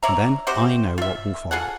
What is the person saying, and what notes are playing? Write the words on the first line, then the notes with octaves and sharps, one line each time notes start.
And then I know what will follow.
C#5 D5 E5 A#5
C3 F#4 G4 C5
F4 E5
F4 G#4 A4 F#5